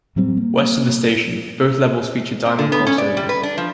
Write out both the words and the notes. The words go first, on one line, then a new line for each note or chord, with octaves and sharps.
West of the station, both levels feature diamond crossovers.
A2 F#3 G3 C4
A#3
C4
D3
B3
C#4
D5
G3
B4
D4
F3